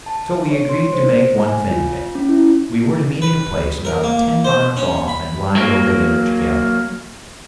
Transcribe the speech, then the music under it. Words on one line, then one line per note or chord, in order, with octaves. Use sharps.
So we agreed to make one thing of it. We were to meet at a place about ten miles off and ride over there together.
A5
C#5
C6
C5
A#6
G#5
F4
C#4
E4
B4
A#4
A#3
C5
C#4
B5
F#3 A#3